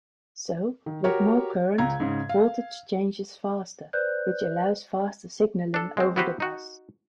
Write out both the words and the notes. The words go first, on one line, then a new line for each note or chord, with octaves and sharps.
So with more current, voltage changes faster, which allows faster signaling over the bus.
D#3
F#4 G4 A#4 C#5
C#2 A#5 G#6
G#2 C#3
F5
B4 C5 D5 F#6 G6
D4 A4
G#3 C4
B3 E4 F#4 G4 B4 C5
D#4 F#4